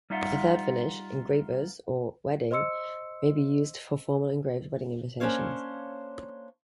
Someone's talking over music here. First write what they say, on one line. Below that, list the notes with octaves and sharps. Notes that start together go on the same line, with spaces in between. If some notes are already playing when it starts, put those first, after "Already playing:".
A third finish, "engravers" or "wedding", may be used for formal engraved wedding invitations.
G3 D#4 F4 E5 F#5
C5 D#5 C6 E6 C#7
A#3 C#4 D4 C5 C#5 F5